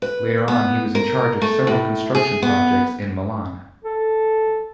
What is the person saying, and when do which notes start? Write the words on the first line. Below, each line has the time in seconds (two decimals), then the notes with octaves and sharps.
Later on, he was in charge of several construction projects in Milan.
0.02 B4
0.48 B3
0.95 A#4
1.42 A3
1.67 A2
2.15 G#4
2.42 B3
3.84 A4